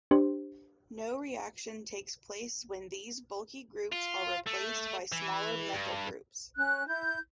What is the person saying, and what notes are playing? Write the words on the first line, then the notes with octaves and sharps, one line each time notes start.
No reaction takes place when these bulky groups are replaced by smaller methyl groups.
D4 G4 C5
F4
A3
E3
G2
C#4 F#6
E4 G6